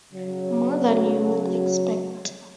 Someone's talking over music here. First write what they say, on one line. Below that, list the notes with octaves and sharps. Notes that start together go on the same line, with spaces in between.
More than you would expect.
C#3 F#3